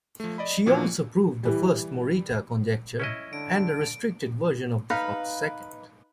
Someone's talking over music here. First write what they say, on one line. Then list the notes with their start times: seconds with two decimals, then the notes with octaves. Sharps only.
She also proved the first Morita conjecture and a restricted version of the second.
0.20 F3 A3
0.38 D5 D#5 B5
0.66 A#2 E3 F3 C#4 F#4
1.43 E3 G3
3.00 C#4 E4 D#5
3.33 D3 D7
4.90 D#4 B4 F5 B5